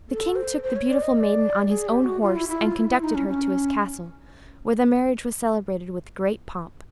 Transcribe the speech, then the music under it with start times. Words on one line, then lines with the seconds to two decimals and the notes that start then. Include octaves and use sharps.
The king took the beautiful maiden on his own horse and conducted her to his castle, where the marriage was celebrated with great pomp.
0.10 A4
0.36 C5
0.63 C5
0.76 C#5
0.89 D5
1.02 D#5
1.16 D#5
1.20 D5
1.69 G#4
1.87 G4
2.04 F#4
2.22 F4
2.35 E4
2.49 E4
2.62 F4
2.75 E4
2.89 E4
3.02 D#4
3.15 C#4
3.28 C#4